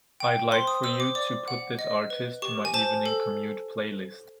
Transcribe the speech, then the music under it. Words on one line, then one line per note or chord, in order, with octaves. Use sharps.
I'd like for you to put this artist to my Evening Commute playlist.
G5
C5 C6
D#6
C5 E6
D6
D5 D6
F#5
D#5
B4
G4 C#6
G#5
C5 A5
A4